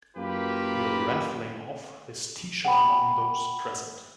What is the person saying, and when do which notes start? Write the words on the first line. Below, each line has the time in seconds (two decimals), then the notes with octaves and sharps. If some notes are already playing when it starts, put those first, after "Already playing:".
We’re raffling off this t-shirt among those present.
0.17 F#2 A#3 F4 G4 B4
2.65 F#5 G5 B5